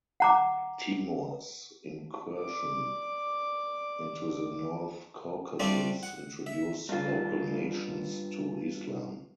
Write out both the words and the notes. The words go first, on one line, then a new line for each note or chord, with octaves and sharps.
Timur's incursion into the North Caucasus introduced the local nations to Islam.
F#5 A#5 D6
D5 D6
G3 A3 C4 D4 F4
F#5
E5
G2 F4